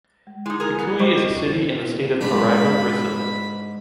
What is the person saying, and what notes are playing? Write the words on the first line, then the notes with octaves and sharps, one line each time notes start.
Picui is a city in the state of Paraíba, Brazil.
G#3
G#3 D#4 E4
G#4 A#4
B3
G3 C5 D#5 C#6
G#2 D4 B5